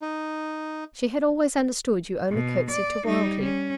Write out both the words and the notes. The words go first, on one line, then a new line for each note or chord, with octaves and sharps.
She had always understood you only curtsied to Royalty.
D#4
B2
D5
G3 D#4
C#4